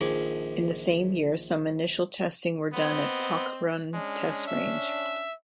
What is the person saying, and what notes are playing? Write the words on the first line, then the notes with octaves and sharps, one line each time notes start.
In the same year some initial testing were done at Pokhran Test Range.
A#1 D#3 F3 G#4 D6
B3 C4 D#5
G#3 C#4 D4
E5